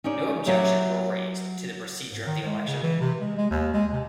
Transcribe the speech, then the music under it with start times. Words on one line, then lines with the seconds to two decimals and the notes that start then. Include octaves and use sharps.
No objections were raised to the procedure of the election.
0.04 C#4 D#4 G4 D5
0.46 F#3 G4 C#5 E5
2.11 G#2
2.27 D#3
2.46 G#3
2.67 C#3
2.83 E3
3.01 C3
3.20 G#3
3.37 G#3
3.51 D#2
3.74 G#3
3.93 C3